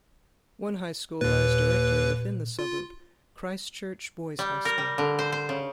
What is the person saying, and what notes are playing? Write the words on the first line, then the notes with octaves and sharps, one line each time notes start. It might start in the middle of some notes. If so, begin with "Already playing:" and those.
One high school lies directly within the suburb - Christchurch Boys' High School.
D#2 A#2 B4
F4
G3
A#4
G3
D3
C5
C5
C#3